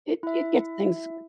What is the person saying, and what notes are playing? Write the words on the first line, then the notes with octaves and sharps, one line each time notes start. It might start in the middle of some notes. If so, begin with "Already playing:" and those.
it it gets things
E4 E5